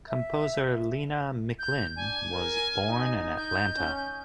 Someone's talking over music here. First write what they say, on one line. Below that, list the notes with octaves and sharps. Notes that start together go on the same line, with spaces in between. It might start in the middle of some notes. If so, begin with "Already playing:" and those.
Composer Lena McLin was born in Atlanta.
E5
G6
D4 G#5
A#4
D#4
D#4 G6
C#4